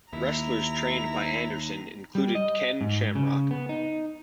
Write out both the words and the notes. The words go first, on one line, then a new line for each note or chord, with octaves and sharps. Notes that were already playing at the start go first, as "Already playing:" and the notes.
Wrestlers trained by Anderson included Ken Shamrock.
D#2 E4 A#5 F7
G3
D#5
G#2
C#3
B3
D#4